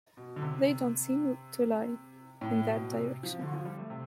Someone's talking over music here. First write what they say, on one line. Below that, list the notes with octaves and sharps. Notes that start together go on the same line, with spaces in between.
They don't seem to lie in that direction.
B2
D3
C3
A2
B2
C3
F3
D3
F3
G3
A3
C3